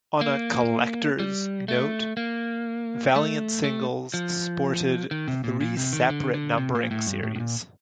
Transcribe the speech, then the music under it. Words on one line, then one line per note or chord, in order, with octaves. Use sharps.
On a collectors note, Valiant singles sported three separate numbering series.
A#3
G3
A3
A#3
A3
A3
F3
D#3
C3
A#2
A#2
C3
D#3
D3
D3
C3
A#2
A2
G2
A2
A2
A#2